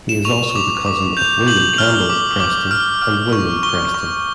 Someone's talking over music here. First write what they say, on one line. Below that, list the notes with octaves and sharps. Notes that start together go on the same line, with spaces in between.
He is also the cousin of William Campbell Preston and William Preston.
E7
C#6 F7
D6 F7
D6
G6 F7
G6 F#7
F6 G7
D6
D6
F6
F6
C#6
C#6 G7
C#6